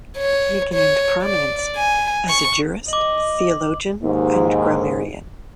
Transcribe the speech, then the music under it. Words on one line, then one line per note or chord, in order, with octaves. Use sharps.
He gained prominence as a jurist, theologian and grammarian.
C#5
C#5
D5
G#5
C#6
D#5 D6 F#7
D#2 G#2